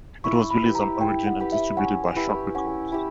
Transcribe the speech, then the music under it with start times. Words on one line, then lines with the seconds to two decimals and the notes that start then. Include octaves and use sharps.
It was released on Origin and distributed by Shock Records.
0.24 E4 C#6
0.51 B5
0.62 G4 B4
0.75 A#5
1.01 E4 G5
1.26 F#5
1.40 G4 B4
1.52 E5
1.77 C#4 F#5
2.16 E4 G4 B4
2.55 C#4 F#5
2.92 E4 G4